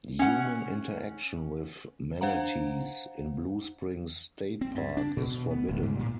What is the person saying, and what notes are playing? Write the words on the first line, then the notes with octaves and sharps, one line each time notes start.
Human interaction with manatees in Blue Spring State Park is forbidden.
C#4 F#5
D4 C5 F5 F#5 A#5
C4
G2
D4
B2
B3
D1
G#2
A#2